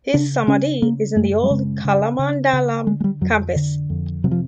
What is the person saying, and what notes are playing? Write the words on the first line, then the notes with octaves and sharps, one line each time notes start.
His Samadhi is in the old Kalamandalam campus.
C#3 D4
C#3 C#4
C#3 A#3
F#2 A3
G3
C#3 G#3
C#3
C#3
C#3
D3 G#3
G#3
G3
F2 F#3
D3
F2
C3 F#3
F3